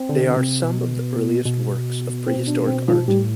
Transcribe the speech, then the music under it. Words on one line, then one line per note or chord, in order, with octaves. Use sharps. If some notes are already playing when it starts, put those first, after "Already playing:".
They are some of the earliest works of prehistoric art.
Already playing: C4
D3
C3
B2
B2
C4
D4
C4
F3
A2 G3